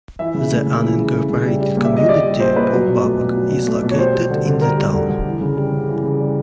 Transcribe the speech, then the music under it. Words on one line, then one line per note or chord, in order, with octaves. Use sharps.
The uninicorporated community of Babcock is located in the town.
E3 E5
C#3
A3
C#3
E3
C#3
A3
C#3
G3
G3
A#2
E5
A#2 D#5
G3 D5
G3
A#2 C5
A#2 B4
F#3
B2
A3
B2
F#3
B2
A3
B2
C#5
G3 C5
G3
D3
D3
G3 A#4
G3
D3
D3
E3
C#3
G3
C#3
E3
C#3
G3